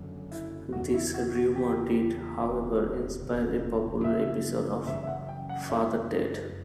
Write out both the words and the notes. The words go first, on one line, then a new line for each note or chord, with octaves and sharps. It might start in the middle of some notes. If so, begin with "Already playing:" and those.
This rumour did, however inspire a popular episode of "Father Ted".
Already playing: F#1 F#2 D3 F#3
E4
E2 C#3 E3 F#4
E4
F#4
F#4
E2 C#3 E3 G4
E1 D2 C#3
E1 D2 C#3
F#2 C#3 E3 G3 E5
F#2 C#3 E3 G3 E5
E5
F#5
G5
F#5
F#2 C#3 E3 E5